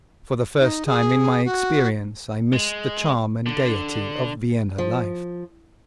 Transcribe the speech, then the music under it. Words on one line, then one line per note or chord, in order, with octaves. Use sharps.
For the first time in my experience I missed the charm and gaiety of Vienna life.
D#4
G#4
F#4
G#3
D3
F3